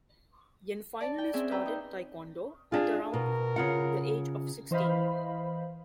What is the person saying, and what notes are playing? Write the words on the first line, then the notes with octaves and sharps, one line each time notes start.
Yen finally started taekwondo at around the age of sixteen.
D5 A5
G5
C4 C#4 G#4 E5 G#5
B4 D5 G5 A#5
D#4 G6
D4 F4 G#4
B2 A#4
C#3 F4 F#5
E3 C5 D#5 F5 B5